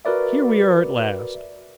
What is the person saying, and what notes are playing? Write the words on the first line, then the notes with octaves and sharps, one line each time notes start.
'Here we are at last.
F#4 A#4 B4 D5 E5